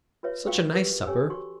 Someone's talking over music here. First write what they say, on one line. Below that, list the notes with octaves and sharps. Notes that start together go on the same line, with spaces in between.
Such a nice supper!
F4 B4 C#5 E5
F4 F#4 A#4 F5 G5 C#6
G4 A#4 B4 E5
C#4 G4 A4 C#5 G#5 E6
F#4 C6 C#6